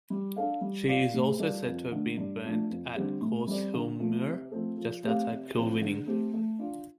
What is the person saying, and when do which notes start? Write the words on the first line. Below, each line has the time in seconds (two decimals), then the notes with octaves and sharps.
She is also said to have been burnt at Corsehillmuir, just outside Kilwinning.
0.10 G3
0.36 D4 A4 F5
0.61 G3
0.88 F4 D5 F5
1.14 A2
1.39 G3 F4 A4 D5
1.66 F2
1.92 D3 A3
2.17 G2
2.44 F3 A3 D4
2.70 F2
2.96 D3 G3 C4 G4
3.21 A2
3.47 G3 C4 A4 D5
3.74 D3
3.99 F3 A3
4.26 C3
4.51 F3 A3 C4 A4
4.78 F3
5.04 A3 C4 G4 F5
5.29 C3
5.55 F3 C4
5.81 D3
6.07 A3 C4 G4
6.34 A3
6.59 D4 F4